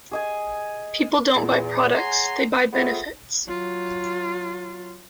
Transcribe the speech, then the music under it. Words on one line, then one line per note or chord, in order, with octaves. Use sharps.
People don't buy products, they buy benefits.
G#4 D#5 G#5
E2 A#2
G#4 C#5 F#5 G#5 A#5 C6
A3 B3 C4 F4 G#4
F#3 F4